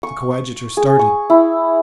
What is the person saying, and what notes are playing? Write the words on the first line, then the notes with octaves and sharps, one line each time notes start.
The coadjutor started.
C#6
G#4
C#6
E4